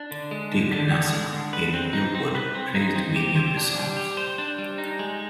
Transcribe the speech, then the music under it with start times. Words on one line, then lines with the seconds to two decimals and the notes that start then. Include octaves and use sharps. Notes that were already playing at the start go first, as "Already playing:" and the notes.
Dick Nusser in "Billboard" praised many of the songs.
Already playing: D4
0.11 D3
0.31 G#3
0.52 D3
0.72 D4
0.92 D3
1.13 G#3
1.32 D3
1.53 B4
1.74 C4
1.93 D#4
2.15 C4
2.35 B4
2.55 C4
2.75 D#4
2.95 C4
3.16 G4
3.36 C5
3.57 D4
3.77 G3
3.97 G4
4.17 C5
4.38 D4
4.58 G3
4.78 D#4
4.99 G#3